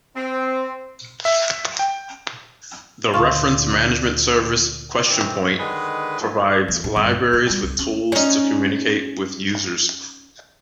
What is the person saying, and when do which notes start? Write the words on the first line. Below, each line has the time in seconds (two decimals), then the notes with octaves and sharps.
The reference management service QuestionPoint provides libraries with tools to communicate with users.
0.16 C4
1.25 E5
1.79 G5
3.14 D2 A#2 D3 F4 C#6
5.06 D#3 E3 C4
5.58 D3 D#3 G#3 G#4 B4
6.20 F#2 A2 D3 F3 F#3
6.68 E2
6.84 A2
6.96 G1
7.12 D2
7.33 A#2
7.50 G3
7.63 C2
7.79 C#4
8.12 C#4 D#4